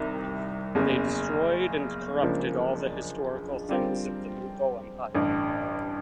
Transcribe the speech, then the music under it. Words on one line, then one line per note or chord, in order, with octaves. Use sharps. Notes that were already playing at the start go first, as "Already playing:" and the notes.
They destroyed and corrupted all the historical things of the Mughal Empire.
Already playing: C2 C3 D#3
F#1 E2 C#3
C#2 C#3 F3 A#3 D4
D3 G3 C4 F4 A#4
A1 G2 D3